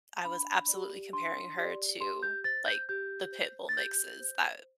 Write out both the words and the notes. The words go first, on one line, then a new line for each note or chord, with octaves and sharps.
I was absolutely comparing her to like the pit bull mixes that
D4 B5
D5
G4
D4 C6
G4 D5
G4 C6
G6
C5 A6
G6
G4 G6
C5
A6
G4 G6
C5